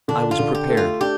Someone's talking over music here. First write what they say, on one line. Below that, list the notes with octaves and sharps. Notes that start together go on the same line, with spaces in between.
I was prepared.
D3 D4
F4
D3
G4
A3
F4
D4 G4